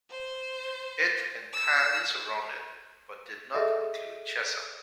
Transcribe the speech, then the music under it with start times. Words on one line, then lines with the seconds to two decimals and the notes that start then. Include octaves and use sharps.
It entirely surrounded but did not include Chesham.
0.10 C5
1.53 E6
3.55 G#4 A4 D#5 E5